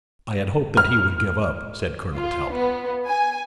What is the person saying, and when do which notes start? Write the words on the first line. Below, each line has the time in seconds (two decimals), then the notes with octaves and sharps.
"I had hoped that he would give up," said Colonel Talbot.
0.77 F6
2.14 F4
2.52 B3
3.07 G#5